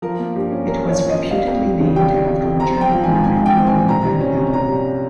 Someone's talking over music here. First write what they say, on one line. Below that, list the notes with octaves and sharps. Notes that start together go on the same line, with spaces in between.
It was reputedly named after a German immigrant Noble Van Hebel.
F3 A#4
A#3
G2 G4
C#4
C#4 A#4
F3
C#5
F3
D#5
C#4
G3 F5
F2
G3
C#3
G3 G5
G3
F2
F2
C4 A#5
C4 G5
F3
G#2 G#5
C4 G#5
G#2 G5
C4
G#5
A#1
C2 A#5
G3
C#4
C3
C#4 A#5
G3